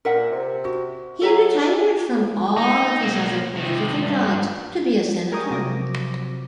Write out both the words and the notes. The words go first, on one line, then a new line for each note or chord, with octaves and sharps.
He retired from all of his other political jobs to be a senator.
A#2 A#4 E5 F#5
C3
F#4
F#3 A4 E5 A#5
D#4
B1 A#3
C3 D#3
G2
G4 G#4 A#4 G5 C#6 D#6
C3 F3 F#3 D6 A#6